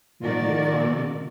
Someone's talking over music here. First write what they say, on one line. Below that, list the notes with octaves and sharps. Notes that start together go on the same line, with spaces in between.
with the economy
D#3 F3 F#4 A#4 D5